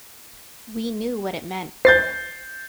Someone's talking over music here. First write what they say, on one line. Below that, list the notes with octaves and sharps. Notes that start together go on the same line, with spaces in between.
We knew what it meant.
C5 G6 A6 C7